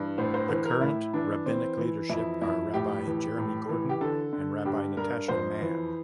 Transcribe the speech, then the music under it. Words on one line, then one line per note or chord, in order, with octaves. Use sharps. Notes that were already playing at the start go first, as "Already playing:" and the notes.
The current rabbinic leadership are Rabbi Jeremy Gordon and Rabbi Natasha Mann.
Already playing: G2 E3
A2 C5
C5
E3 C5
A#4
A2 E4
E3 D4
E3 C4
E3
F2 E4
F2 E4
A2 G4
E3
A2
E3
G4
D3 A4
D3
G2 G4
G2 A#4
F2 C5
E3